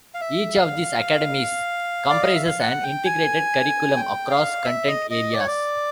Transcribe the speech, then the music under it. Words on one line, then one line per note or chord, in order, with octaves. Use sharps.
Each of these academies comprises an integrated curriculum across content areas.
F5
E5
F5
D5
D#5
E5
F5
F#5
G5
G#5
G5
F5
E5
D#5
D#5
D5
C#5
D5